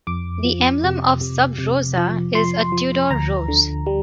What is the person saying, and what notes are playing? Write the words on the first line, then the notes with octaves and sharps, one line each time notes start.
The emblem of Sub Rosa is a Tudor Rose.
F2 D6
F3
C3
C3
C3
F3
F3 C6
F3
D2 A#5
D3
G3